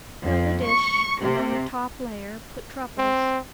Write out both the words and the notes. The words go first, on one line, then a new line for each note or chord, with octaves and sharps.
Fill the dish and on the top layer put truffles.
F2
C#6
C3
C4